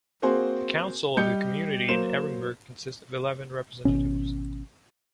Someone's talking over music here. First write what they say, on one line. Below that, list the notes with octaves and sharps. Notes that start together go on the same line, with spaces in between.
The Council of the community in Ehrenburg consist of eleven representatives.
A#3 C4 F#4 G#4 C5
G3 G4 D#5 G6 C#7
F#3 A#3 C5 E7
G#1 B2 C#4